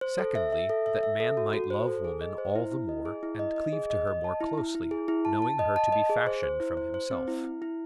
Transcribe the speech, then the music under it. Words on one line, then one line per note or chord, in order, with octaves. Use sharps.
Secondly, that man might love woman all the more, and cleave to her more closely, knowing her to be fashioned from himself.
C5
A4
E5
E5
A4
E5
E5
A4
F#4
F#4
C5
A4
G#4
D#5
C5
E4
E4
D#5
G#4
E4
D#5
D#5
G#4
D#5
D#5
A5
E4
E4
E4
G#4
E4
A5
A5
D#5
A5
D#5
G#4
C5
C5
E4
C5
C5
C4
E4
E4
E4